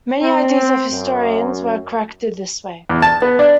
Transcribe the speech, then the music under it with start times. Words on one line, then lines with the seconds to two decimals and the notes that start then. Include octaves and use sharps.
Many ideas of historians were corrected this way.
0.22 C4
0.91 F#2
2.89 E2
3.02 A5
3.22 B3
3.39 D4